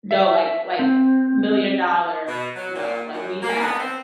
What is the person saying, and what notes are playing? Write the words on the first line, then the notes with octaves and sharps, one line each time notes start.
No, like like, million-dollar. No, like we had
E5
C4
B2
F#3
A#2
F#2
A#3
B3
C4